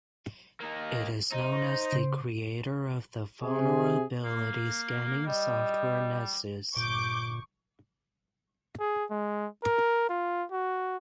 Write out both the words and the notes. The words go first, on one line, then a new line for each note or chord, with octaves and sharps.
It is known as the creator of the vulnerability scanning software Nessus.
A#3 D#4
D#4 C5
C#3
C3 G#4
A#3
G3 D#5
G1 A#2 C#6 D6 G6
G#4
G#3
A#4
F4
F#4